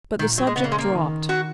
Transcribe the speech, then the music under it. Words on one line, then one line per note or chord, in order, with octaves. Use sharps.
But the subject dropped.
A#2 D#3
F#3
G#3
C#3 B3
A#3
G#3
A#3
D#3
F#4